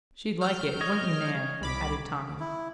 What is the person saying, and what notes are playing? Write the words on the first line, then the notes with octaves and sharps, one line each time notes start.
"She'd like it; wouldn't you, Nan?" added Tommy.
F6 G6
C#5 D#5
C2 B5 D6
E4